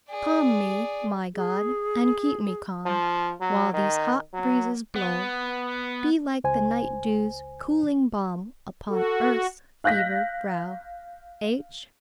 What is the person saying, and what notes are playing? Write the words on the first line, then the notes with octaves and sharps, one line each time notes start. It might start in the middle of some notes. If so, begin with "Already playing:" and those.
"Calm me, my God, and keep me calm While these hot breezes blow; Be like the night-dew's cooling balm Upon earth's fevered brow." --H.
G#4 D5
G#4
F3
F#3
D#3
F#3
B3
C#2 C5 G#5
F#4 A4
F5 F#6 G6 A#6 B6